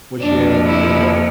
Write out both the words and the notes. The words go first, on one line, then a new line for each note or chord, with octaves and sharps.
Was she able to do it?
F2 C3 F3 A#3 D4
E4